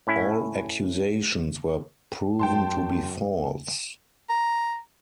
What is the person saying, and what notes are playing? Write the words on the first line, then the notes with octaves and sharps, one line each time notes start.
All accusations were proven to be false.
A2 C#4 E4
F#2 G5 A5 C6
A#5